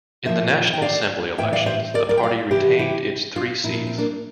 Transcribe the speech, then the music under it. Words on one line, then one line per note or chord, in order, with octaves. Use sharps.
In the National Assembly elections, the party retained its three seats.
A#2 F3 C5 E5
G5
D5 F5
A2 E3 E5 G5
D5 F5
C5 E5
A#4 D5
A#4 D5
G5
D5 F5
C3 E3 E4 G4
E4 G4
D4 F4
A#2 F3 E4
D4
C4
A#3 D4